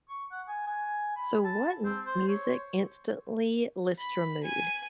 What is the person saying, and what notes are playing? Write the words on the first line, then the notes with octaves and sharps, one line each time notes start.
So, what music instantly lifts your mood?
C#6
F#5
G#5
G#5
B5
A5
C4
C5
C#5
B5
G#5